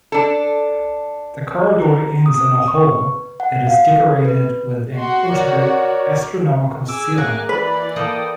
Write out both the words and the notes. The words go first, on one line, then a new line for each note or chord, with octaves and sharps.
The corridor ends in a hall that is decorated with an intricate astronomical ceiling.
D4 A4
A#5
D#6
C#6
B4
F#5
F5
A4
B4
F#4 C6
A#4 C#5 D5
G#4 G#5 D6 E6
A#3 F#4 A#5 D6 F#6
E3 B4 D5 B5
A#3 A4 G5 D#6